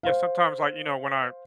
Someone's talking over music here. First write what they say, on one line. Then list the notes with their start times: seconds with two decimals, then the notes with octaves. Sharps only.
Yeah, sometimes, like, you know, when I
0.03 C5 F5